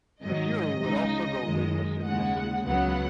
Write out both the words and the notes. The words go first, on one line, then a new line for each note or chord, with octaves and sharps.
The Fury would also go winless in this season.
G#2 D#3 F#3 D#5
C#2 C#3 G#3 D#4
F#2 D#3 G#3
D#2 C#3 G#3 F#5
C#2 C#3 F#3 B3 F#5